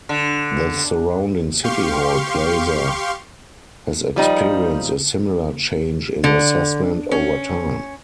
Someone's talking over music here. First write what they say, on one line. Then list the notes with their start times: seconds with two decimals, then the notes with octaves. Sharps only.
The surrounding City Hall Plaza has experienced a similar change in assessment over time.
0.09 D3
1.64 G4 F5 C6 C#6
4.16 F3 G3 D#4
6.24 D3
7.11 C#4